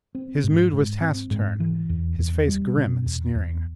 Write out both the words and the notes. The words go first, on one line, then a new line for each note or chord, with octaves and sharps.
His mood was taciturn; his face grim and sneering.
C4
G#2
G#2
C4
G#2
E3
E2
E2
G3
B2
E2
E2